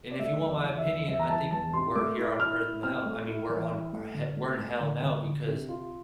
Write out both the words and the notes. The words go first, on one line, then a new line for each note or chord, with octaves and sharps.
And if you want my opinion, I think we're here on earth now. I mean, we're on he we're in hell now because
D5
A3 E5
E2
D5
E3
E5
E2
E2 E5
A#5
E3 A5
E2 A5
C3 C6
A3 D6
E4
E4 F6
E4
C4 F6
A3
E4
E3
E4
A3
D3
A3
A3
D3
D3
D3
C3
F4